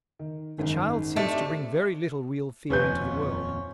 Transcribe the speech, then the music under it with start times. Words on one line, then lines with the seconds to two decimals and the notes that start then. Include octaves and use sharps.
The child seems to bring very little real fear into the world.
0.19 D#3
0.59 G#1 F#2 D#3
1.16 C3 A3 D4 D#5 A6
2.70 D#1 F2 C#4 F4 B4 C#5 G6